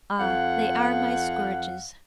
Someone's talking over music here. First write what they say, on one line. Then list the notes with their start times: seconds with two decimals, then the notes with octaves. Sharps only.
"Ah, they are my scourges."
0.19 F2 F5 F#5